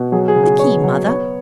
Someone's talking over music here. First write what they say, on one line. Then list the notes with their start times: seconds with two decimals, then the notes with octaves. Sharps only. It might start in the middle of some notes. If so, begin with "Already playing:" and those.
"The key, mother?"
Already playing: B2
0.12 F#3 G#4
0.28 G#4
0.36 C#3
0.44 G#4
0.59 B3 C#5
0.83 F#3
1.07 B3 C#5